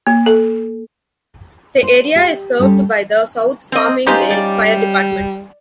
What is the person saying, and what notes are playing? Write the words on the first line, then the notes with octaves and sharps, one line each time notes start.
The area is served by the South Farmingdale Fire Department.
A#3
A4
C5
G4
G3 C#4 G4 A4
C4 D#5
G3 C#4 D#4 F4 G4 B4 C5
G3 D5